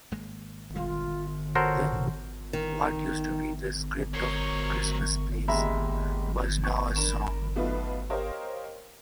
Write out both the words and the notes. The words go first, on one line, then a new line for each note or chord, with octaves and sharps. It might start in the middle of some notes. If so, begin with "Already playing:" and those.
Then, what used to be the script of a Christmas play, was now a song.
G#1 G#3 A#3
D#1 G3 G#3 F4
F#4 A4 A#4 C5 C#5 F#5
D#3
F#3 A#4 C5 C#5 C#6
D#1 C#2 G#3 E5 A#5 B5
B3 C#6
D4 A#4 B5 E7
B1 A3 B3 D#4 F4 B4
G4 A#4 C5 C#5 D#5 F5